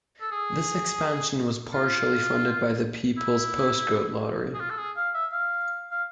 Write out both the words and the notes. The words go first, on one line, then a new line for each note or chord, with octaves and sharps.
This expansion was partially funded by the People's Postcode Lottery.
A4
G#4
F4
E4
G#4
F4
A4
G#4
F5
E5
F5
F5